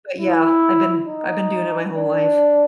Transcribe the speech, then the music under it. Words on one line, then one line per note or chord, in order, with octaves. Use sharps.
but, yeah, I've been I've been doing it my whole life.
E4
D#4
D4